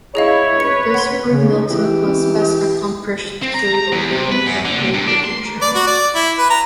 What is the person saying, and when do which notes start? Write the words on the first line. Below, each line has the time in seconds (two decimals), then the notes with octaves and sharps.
This, for Milton, was best accomplished through the reading of great literature.
0.15 E4 G#4 C#5 D#5 F5
0.60 B4 C#7
0.94 F#5 C6
1.29 C#3
1.70 E3 G4
3.42 C4
3.54 A#5
3.75 A#5
3.92 E2
4.12 C3
4.32 B4
4.46 F#2
4.65 D3
4.78 C3
4.94 G2
5.07 D4
5.25 C6
5.61 D5
5.75 F#4
5.87 D5
6.15 E4
6.38 B4
6.50 A#5